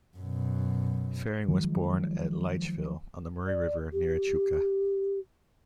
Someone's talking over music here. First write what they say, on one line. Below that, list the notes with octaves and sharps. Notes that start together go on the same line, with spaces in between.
Fehring was born at Leitchville, on the Murray River, near Echuca.
F#2 B2
D#3 F3 F#3 G#3
D5
G4